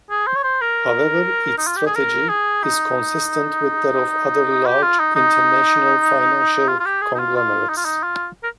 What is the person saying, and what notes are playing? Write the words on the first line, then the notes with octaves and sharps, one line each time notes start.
However, its strategy is consistent with that of other large, international financial conglomerates.
G#4
C5
C#5
C5
A#4
D#4
F4
G4
G#4
A#4
G#4
D#4
G4
F4
D#4
D#4
F4
F4
G4
G#4
D#4
F4
F4
D#4
F4
D#4
F4
A#4